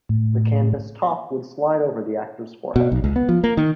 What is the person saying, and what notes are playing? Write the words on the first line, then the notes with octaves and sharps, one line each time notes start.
The canvas top would slide over the actor's forehead.
A2
B2
B1
C#2
B3
F3
A#3
D#3